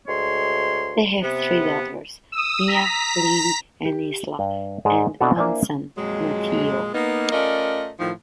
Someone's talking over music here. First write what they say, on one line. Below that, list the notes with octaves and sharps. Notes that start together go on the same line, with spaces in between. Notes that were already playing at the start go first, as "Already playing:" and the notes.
They have three daughters: Mia, Livvy, and Isla, and one son, Matteo.
D2 G#3 C#5 C6
C3 B3
D#6 E6
A#5 B6
G4
G2
G#2 G#3 G#4 D5
B2 C4 D4 E4 F#4 A4
A#3 D4 E4 C5 D5 G#5
F2 A#2 F#3 G#3
A#3 B3 D#4
A3 C#4 F4 A#4 D5 D#5
A2 D#3 F3